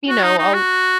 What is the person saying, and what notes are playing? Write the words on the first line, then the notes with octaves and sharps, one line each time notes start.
you know, I'll
F#4
D#4
D#4
F#4